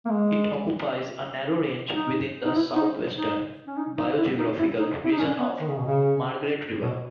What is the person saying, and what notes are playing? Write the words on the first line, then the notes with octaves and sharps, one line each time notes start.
It occupies a narrow range within the southwestern biogeographical region of Margaret River.
A#3
G#3
D#4
D#4
E4
D#4
D#4
C#4
D#4
D#4
E4
D#4
E4
D#4
E4
D#4
C#4
B3
D#3
C#3
B2
C#3
B2